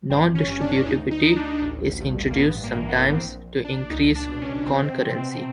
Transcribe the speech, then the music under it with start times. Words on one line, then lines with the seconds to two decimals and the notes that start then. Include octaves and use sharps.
Non-distributivity is introduced sometimes to increase concurrency.
0.10 G1 C4
0.35 C#4
0.48 G2
0.61 D4
0.86 D2 D#4
1.11 D#4
1.24 D2
1.36 D4
1.62 A1
2.00 G2
2.31 A#3
2.38 A1 B3
2.64 A#3
2.76 E3
2.89 B3
3.14 A#1 C4
3.53 A#1
3.64 D4
3.90 C#2 D#4
4.15 D4
4.29 B2
4.42 C#4
4.66 C3 C4
5.05 C3